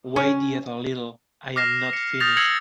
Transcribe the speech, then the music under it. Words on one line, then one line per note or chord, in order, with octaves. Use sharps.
Wait yet a little. I am not finished.
C#4
D6 F6 A#6 C7 E7
C#7
D#6 F6 G6 A6 A#6 F7
E6 G#6 A#6 C7 C#7 F#7